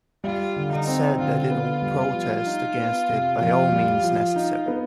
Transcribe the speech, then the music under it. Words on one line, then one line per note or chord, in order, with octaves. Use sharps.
It said that it will protest against it by all means necessary.
G3 F4
D3
D#4
C4
D3 F4
B3
G3
F3
D#4
B3
C3
F2
G3
F3
D#4
B3